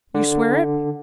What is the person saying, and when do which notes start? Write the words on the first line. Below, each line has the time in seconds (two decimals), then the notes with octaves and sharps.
You swear it?'
0.15 D3